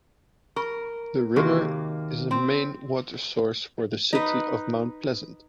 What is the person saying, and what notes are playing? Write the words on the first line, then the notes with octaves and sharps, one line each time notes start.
The river is a main water source for the city of Mount Pleasant.
A#4 C#6
D#2 C3 A#3 F#4 G4 C#6
C4 C6
D#4 B4